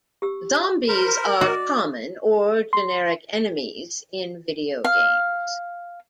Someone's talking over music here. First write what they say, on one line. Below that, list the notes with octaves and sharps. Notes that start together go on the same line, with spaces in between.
Zombies are common or generic enemies in video games.
G4 E6
A#4 C5 B5
F#4 D5 D#5
C6
F5